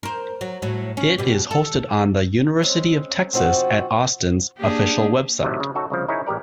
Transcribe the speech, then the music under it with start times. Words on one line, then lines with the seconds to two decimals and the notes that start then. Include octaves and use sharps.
It is hosted on The University of Texas at Austin's official website.
0.03 A#4 C5
0.41 F#3
0.62 A2 F#3
0.97 C#4
1.18 B2 G4
1.51 A4
2.63 G#3 C4 C#4
3.33 B2 F3 C4 D#4 F#4
4.57 A#3 D4 G4 G#4
5.42 A2 C3 D#3 F#3 A3
5.60 C#3
5.75 D#4 F#4 A4 C#5
5.90 C2 C#3 F3
6.08 D#4 E4 G#4 A#4 C#5
6.27 A1 G#3 G4 A#4 D5